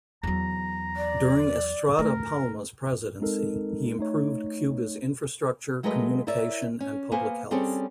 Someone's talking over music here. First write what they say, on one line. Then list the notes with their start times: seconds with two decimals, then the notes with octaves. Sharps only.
During Estrada Palma's presidency, he improved Cuba's infrastructure, communication, and public health.
0.23 E2 F#3 A#5
0.96 D5
1.99 A3 A#4
3.21 G#3 C4 D#4 A4 A#4
3.99 A3 D#4 C#5
5.83 F#3 G#3 A3 A#4 B4 D#5
6.27 E4 A#4 C#5 D5 E5
6.80 C#4
7.12 A#3 B3 B4 C5 F5 G#5
7.51 G3 C4 C#4 G#4 A4 C#5